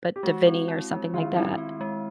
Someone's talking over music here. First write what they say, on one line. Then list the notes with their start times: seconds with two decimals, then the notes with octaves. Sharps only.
but Dhivehi or something like that.
0.16 G4
0.23 G#3 F#4
0.47 C4
0.68 E4
0.91 G#3
1.14 D#3 F4
1.22 E4
1.36 C4 E4
1.58 C4
1.81 G#3